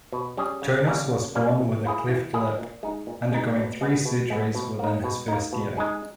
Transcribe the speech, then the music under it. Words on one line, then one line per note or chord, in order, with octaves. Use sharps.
Jonas was born with a cleft lip, undergoing three surgeries within his first year.
B2
G3 C#4 G#4
C#3
G3 A#3 C#4
C#3
G3 A#3 C#4
E3
A#3 E4 G#4
E3
A#3 E4 G#4
A#2
G#3 D#4
A#2
G#3 D#4
B2
G#3 B3
B2
G#3 B3
B2
A#3 D#4
B2
A#3 D#4
B2
G#3 D#4 G#4